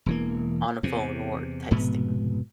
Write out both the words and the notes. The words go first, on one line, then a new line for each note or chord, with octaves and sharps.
on a phone or texting.
E1 E3 A#3
E2 C3
F1 G#2 B2 B3